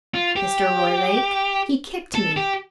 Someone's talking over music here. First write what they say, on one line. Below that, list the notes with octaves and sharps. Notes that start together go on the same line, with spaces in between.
Mr. Roylake, he kicked me.
F4
G4
A4
G4